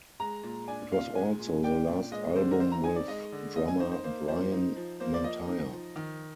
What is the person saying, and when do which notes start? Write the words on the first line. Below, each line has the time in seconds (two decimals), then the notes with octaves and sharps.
It was also the last album with drummer Bryan Mantia.
0.20 G#3 A#5
0.43 A#2
0.68 D4 G#5
0.92 A#2 F5
1.15 G#3 G#5
1.39 A#2
1.64 D4 G5
1.88 A#2
2.12 G#3 D#5
2.36 D3 C5
2.51 A#4
2.60 C4 C5
2.72 A#5
2.84 D#4 G#5
2.96 D5
3.08 G#3 D#5
3.32 D3
3.56 C4 D#5
3.68 G#5
3.80 D#4 C5
3.92 C5
4.04 A#3 C5
4.28 F3 C5
4.52 D#4
4.76 F3
5.00 A#3 C5
5.14 D5
5.24 F3 D#5
5.48 D#4
5.73 F3
5.96 D#3